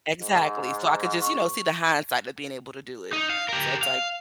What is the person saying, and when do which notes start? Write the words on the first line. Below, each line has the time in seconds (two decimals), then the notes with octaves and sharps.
Exactly. So I could just, you know, see the hindsight of being able to do it. So it's like,
0.20 G#2
1.22 C#6
3.13 D#4
3.30 F5
3.49 G4 A#4
3.83 F5